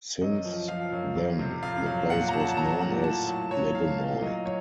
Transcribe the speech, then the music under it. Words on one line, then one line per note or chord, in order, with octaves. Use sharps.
Since then, the place was known as "Lagonoy".
F#2 D#5
F3
F3 F5
F#2
F2
C3
F2 F5
F#3 F5
A#2 F#5
A#5
F#3 A5
A5
F#3 A#5
A#2 F#5
A2 A5
F#3 A5
F#3 C#5
A2 F5
A#2 F5
F#3 D#5
F#3 C#5